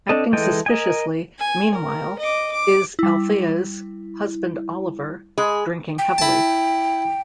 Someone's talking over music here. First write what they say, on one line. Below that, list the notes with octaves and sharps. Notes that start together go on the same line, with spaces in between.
Acting suspiciously, meanwhile, is Althea's husband Oliver, drinking heavily.
C4 D4 A4 D#5
E3 G#3 A4 D#5 G5
A#4 D#5 G#5
G#5
A#4
D#5 D6
D6
G3 E4
G#3 G#4 B5
G5
E4 A5